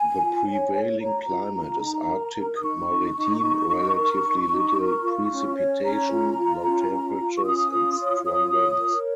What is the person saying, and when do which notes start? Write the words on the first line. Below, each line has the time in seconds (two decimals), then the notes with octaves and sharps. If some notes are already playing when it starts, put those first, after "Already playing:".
The prevailing climate is arctic-maritime; relatively little precipitation, low temperatures, and strong winds.
Already playing: G#5
0.20 F4
0.46 C#5
0.73 C#5
1.00 C#5 A#5
1.28 F4
1.54 F4
1.81 D#4
2.08 A#4
2.35 A#4
2.55 D#6
2.61 D#4 C#6
2.88 D#4
3.15 D#4
3.41 D#4
3.69 D#4
3.96 A#4
4.23 D#4
4.50 D#4
4.76 A#4
5.03 F4
5.30 C#4
5.57 C#5
5.83 C#4 A#5
6.11 F4
6.38 F4
6.65 C#4
6.91 F4
7.18 F4
7.36 C#6
7.45 C#4 D#6
7.72 F4
7.99 C#5
8.25 F4 D#6
8.52 C#5
8.79 A#4